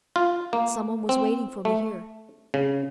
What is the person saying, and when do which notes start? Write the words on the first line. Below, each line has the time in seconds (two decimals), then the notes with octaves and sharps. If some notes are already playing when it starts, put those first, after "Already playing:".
"Some one was waiting for me here."
0.16 F4
0.53 A#3
1.09 C4
1.65 A3
2.54 C#3